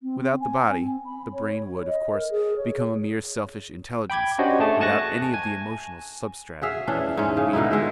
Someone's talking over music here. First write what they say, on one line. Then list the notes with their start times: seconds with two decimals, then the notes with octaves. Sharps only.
Without the body the brain would, of course, become a mere selfish intelligence, without any of the emotional substratum of the human being.
0.02 C4
0.20 C4
0.40 G#5
0.68 C4
1.05 B5
1.32 C#5
1.62 C#5
1.86 D#5
2.13 A#4
2.30 G#4
2.56 C#5
4.10 G5 B5 D6 G#6
4.38 C#4 D4 F#4 G4 C5 D#5
4.60 A3 G#4 A5
4.81 G#5 A5 C#6 F#6 A#6
5.34 G#5
6.62 F#4 G#4 E5 F5
6.87 E3 C#4 D4
7.17 G#2 C#4
7.37 C#3
7.53 B2 D3 D#4 E4
7.70 D3 G#3 E5 G5